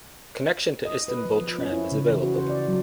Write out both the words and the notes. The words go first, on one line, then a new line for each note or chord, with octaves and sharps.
Connection to Istanbul Tram is available.
D#5
B4
F3
F3
C#4
E4
C#3
E3
F#4
C5
D5
F#3